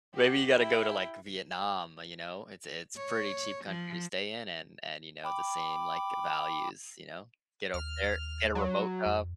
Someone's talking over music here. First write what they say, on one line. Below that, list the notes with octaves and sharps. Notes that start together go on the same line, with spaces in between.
Maybe you gotta go to, like, Vietnam, uh, you know, it's it's pretty cheap country to stay in and and, you know, the same, like, values, you know? Get over there, get a remote job.
F#4 G4
E4 G5
C#5
F3
G5 B5 D6
D#2 F6
F#3
F2